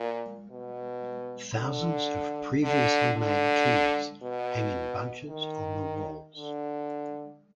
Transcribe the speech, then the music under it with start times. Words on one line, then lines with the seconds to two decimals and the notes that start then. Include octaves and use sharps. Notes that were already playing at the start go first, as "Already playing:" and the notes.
Thousands of previously made keys hang in bunches on the walls.
Already playing: A#2
0.51 B2
1.57 D3
2.63 D3
3.17 D3
4.23 B2
5.29 D#3
6.36 D3